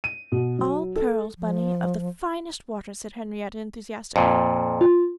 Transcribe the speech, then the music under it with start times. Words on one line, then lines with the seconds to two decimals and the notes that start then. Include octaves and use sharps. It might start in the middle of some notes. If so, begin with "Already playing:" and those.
"All pearls, Bunny, of the finest water," said Henriette, enthusiastically.
0.04 D#7
0.32 B2
0.59 F#3
0.96 A4
1.38 F3
4.16 F2 A#2
4.81 F4